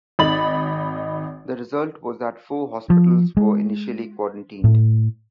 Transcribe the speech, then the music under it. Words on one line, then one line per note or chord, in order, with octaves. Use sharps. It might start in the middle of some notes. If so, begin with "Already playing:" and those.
The result was that four hospitals were initially quarantined.
G#1 D#4 B5 A6 F#7
F3
G#3
A2